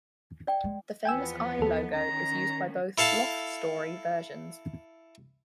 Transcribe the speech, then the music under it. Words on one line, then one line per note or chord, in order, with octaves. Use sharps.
The famous eye logo is used by both "Loft Story" versions.
D5 G5
G#3
E2 F3 B3 G5 G#5 E6
D#2 A4
D#3 C#4 A#5
E4 A4 F5 A5